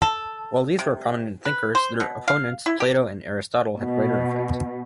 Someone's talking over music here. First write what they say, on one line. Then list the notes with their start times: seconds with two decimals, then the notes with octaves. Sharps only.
While these were prominent thinkers, their opponents-Plato and Aristotle-had greater effect.
0.02 A4
0.79 C3
1.45 B4
1.75 C5
2.00 B2
2.28 F5
2.66 E4
2.80 G4
3.78 B2